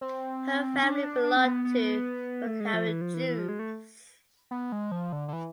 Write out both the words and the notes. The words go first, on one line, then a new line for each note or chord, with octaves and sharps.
Her family belonged to Bukharan Jews.
C4
D4
D4
D4
C4
B3
B3
A3
G#3
F3
E3
F3
E3
E3
F3
G#3
A3
B3
G#3
F3
D3
D3
E3